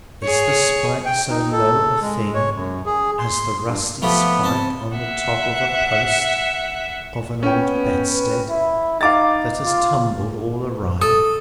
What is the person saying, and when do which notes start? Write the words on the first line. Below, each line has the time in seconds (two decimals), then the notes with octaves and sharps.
Is the spike so low a thing as the rusty spike on the top of a post of an old bedstead that has tumbled all awry?
0.23 G#4 C#5
1.05 G5
1.30 D#4
1.52 A4
2.02 G#3
2.34 C#5
2.55 F#2
2.86 G#4
3.19 C6
3.64 G2
4.02 F3 A3 B3 G4
4.43 C4 A5
4.97 E5 F#5
7.43 B3 C#4 G5
8.11 B4
8.50 E4
9.01 D#4 F5 D6 A6
9.66 F4
11.02 A4 D#6